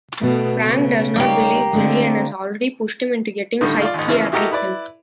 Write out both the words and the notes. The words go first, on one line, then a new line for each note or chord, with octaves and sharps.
Frank does not believe Jerry and has already pushed him into getting psychiatric help.
B2 A3 B3
C#3
G3 A#3 D#4 G4 C#5
D3 G#3 A3 C4
A2 D3 D#3 G3
F4 D5
A1 D#2
E2 C#3 E3 F3 E4 F6
E4 F#4 G4 A4 A#4 D#5
E4 B4 D5